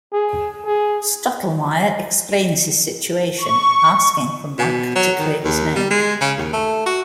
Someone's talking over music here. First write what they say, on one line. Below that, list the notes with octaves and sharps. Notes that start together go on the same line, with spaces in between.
Stottlemeyer explains his situation, asking for Monk to clear his name.
G#4
G#4
C#6
B2
F#3
D#3
D#2
G3
G#3
C#3
D#2
A3
F#4